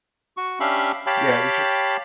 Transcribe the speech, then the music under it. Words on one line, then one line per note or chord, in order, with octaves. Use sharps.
Yeah, you just
F#4 C#6
C#4 D4 G4 E5 F5 B5
G4 C#5 F5 G5 A5 B5